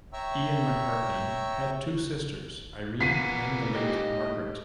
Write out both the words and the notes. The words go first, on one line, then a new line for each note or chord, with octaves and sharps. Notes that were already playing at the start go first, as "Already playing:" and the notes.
Ian McCartney had two sisters, Irene and the late Margaret.
C#5 E5 G5 A#5 C#6 E6
A#3 B3 C#4 F4 B6 C7 D#7
G#2 G4 D#5